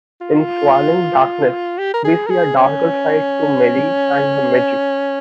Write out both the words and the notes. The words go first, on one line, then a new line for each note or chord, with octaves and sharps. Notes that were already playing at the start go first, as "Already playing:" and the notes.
In "Swallowing Darkness", we see a darker side to Merry and her magic.
F4
G4
A#4
G#4
A#4
G#4
C#4